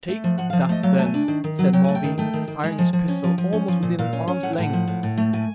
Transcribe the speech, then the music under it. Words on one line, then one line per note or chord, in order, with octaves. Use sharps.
"Take that, then!" said Menneville, firing his pistol almost within an arm's length.
A3
F3
F3 F#5
F5
F3
F5
A3 D#5
F#3 F5
A3 A5
G#5
D4
D#3
D#3
F#3
F#3 G5
A3 G#5
G5
D#3
A3 G5
D#3
D#3
G#3
F3
F3
C#4
F3
F3
C#4
F3
A#2
A#2 F5
C#4
C#4
A2 F#5
G5
A2 F#5
F3
A2
A2
A3
A2 G#5